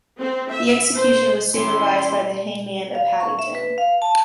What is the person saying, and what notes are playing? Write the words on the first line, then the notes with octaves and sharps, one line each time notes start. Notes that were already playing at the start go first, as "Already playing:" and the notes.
The excecution was supervised by the hangman of Haddington.
C4
E5
C5
C#4 E4 G4 C6
F5
C#6
E5
B4
F5
A5